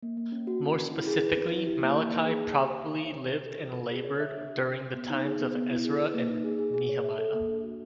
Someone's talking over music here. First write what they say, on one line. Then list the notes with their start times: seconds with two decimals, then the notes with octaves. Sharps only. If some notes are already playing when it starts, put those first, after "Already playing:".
More specifically, Malachi probably lived and labored during the times of Ezra and Nehemiah.
0.03 A#3
0.17 A#3
0.32 C#4
0.47 F#4
0.62 C#4
0.77 C#4
0.92 E4
1.07 G#4
1.22 B4
1.37 C4
1.51 E4
1.66 G4
1.81 A#3
1.96 A#3
2.11 D#4
2.26 G#4
2.41 A5
2.56 G4
2.71 C5
2.86 E5
3.01 C#5
3.16 C#4
3.31 F4
3.46 A4
3.60 F4
3.75 F4
3.90 G#4
4.05 C#5
4.20 E5
4.35 D4
4.50 G4
4.65 C5
4.80 C5
4.95 B3
5.10 D#4
5.25 G#4
5.39 B3
5.54 B3
5.70 E4
5.84 G#4
6.00 B4
6.14 A#3
6.29 D#4
6.44 G#4
6.59 G#4
6.74 G#4
6.89 C#5
7.04 E5
7.19 A4
7.34 A#3
7.49 D4
7.64 F#4